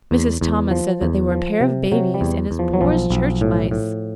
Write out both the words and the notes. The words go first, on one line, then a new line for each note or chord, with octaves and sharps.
Mrs. Thomas said that they were a pair of babies and as poor as church mice.
E2
E2
F3
E2
F3
C3
C3 F#3
G3
E2
E2
F3
F#3
B1 F3
B1
A2
A2